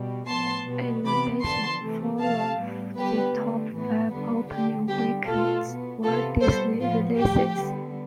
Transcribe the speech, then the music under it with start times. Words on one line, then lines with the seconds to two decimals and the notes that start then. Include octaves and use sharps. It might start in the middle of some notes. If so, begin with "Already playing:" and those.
In addition, four of the top-five opening weekends were Disney releases.
Already playing: B2 G3
0.28 A2 F3 B3 A5 C6
0.67 B2 G3 B3
1.05 C3 E3 B3 B5 D6
1.43 D3 F3 B3 A5 C6
1.82 C3 E3 A3
2.21 C3 F3 A3 F5 A5
2.59 A2 G3 B3
2.97 D3 G3 B3 G4 B4
3.36 D3 A3
3.73 A2 E3 B3
4.13 D3 G3 B3
4.50 D3 A3 G4
4.89 D3 G3 B3 G4
5.27 B2 A3 F4 A4
5.66 B2 B3
6.04 C3 E3 B3 F4 A4
6.42 B2 G3 B3 A4 C5
6.80 A2 F3 B3 F4
7.19 A2 F3 A3 G4
7.58 D3 G3 B3